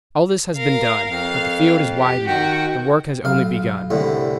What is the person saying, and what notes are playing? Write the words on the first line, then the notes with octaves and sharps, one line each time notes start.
All this has been done, but the field is widening, the work has only begun.
A#4 F5
F2 F5
G4
D#3 F#4 G5
B1 F5
C2 A2 D3